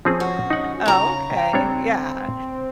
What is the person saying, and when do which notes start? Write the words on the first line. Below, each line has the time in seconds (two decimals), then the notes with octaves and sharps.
Oh, okay. Yeah,
0.05 F3 C4 C#4 G#4
0.20 F#4
0.50 D#4 F#5
0.86 C#3 A#5
1.37 G5
1.53 G3 C4 D4 C#5